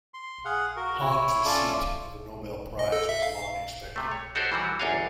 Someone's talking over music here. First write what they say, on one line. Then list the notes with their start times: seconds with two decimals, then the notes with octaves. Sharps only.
Hahn's receipt of a Nobel Prize was long expected.
0.14 C6
0.45 G#4 F5 F#5
0.76 F#4 A#4
1.01 E4 C#5
1.45 C#4 F4 A4 D5 E5
2.79 D#5
2.92 A4
3.09 E5
3.22 F5
3.96 C3 A3
4.11 C#5
4.35 D#4 F#4 G4 A4 C5 C#5
4.52 E3 F#3 G3 F#4
4.80 G1 E2 D4 C#5 D#5 F5